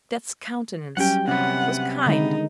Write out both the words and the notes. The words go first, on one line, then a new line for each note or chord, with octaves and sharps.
Death's countenance was kind.
F#3 G3 C#4 G4 F#5 G5
C3 B3 C#4 F#5
D3 D#3 G#3 D#4